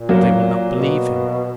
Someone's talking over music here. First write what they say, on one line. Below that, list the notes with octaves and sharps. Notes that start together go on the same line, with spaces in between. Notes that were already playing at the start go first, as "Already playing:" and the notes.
But they would not believe him.
Already playing: A#2
F#3 A#3
B2